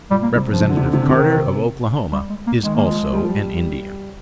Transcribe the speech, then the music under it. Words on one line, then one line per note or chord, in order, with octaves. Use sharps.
Representative Carter of Oklahoma is also an Indian.
A#2 G3
A#3
C3 G3
F3
C3
D3
C3
D3
C3
D3
C3 D#3
G3
G#3
A#3
D#3 G#3
A#3
F3 G#3
G3
F3
G3